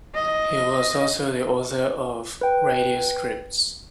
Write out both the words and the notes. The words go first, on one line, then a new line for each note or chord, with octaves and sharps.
He was also the author of radio scripts.
D#5
B4 G5